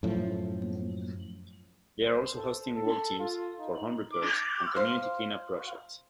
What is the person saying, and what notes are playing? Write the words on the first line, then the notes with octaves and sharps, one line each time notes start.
They are also hosting work teams for home repair and community clean-up projects.
F#2 A2 F3
C5
A4
A4
F4
D#4
D6
F3 C5 F5